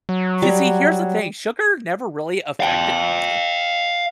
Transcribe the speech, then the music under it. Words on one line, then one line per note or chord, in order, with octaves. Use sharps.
you see, here's the thing, sugar never really affected me
F#3
G3
F5 G5